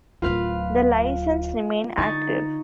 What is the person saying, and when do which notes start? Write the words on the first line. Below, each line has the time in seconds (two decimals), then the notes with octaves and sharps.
The license remained active.
0.22 D1 F#3 F4 B4 F5
1.98 D3 D#4 C#6 A6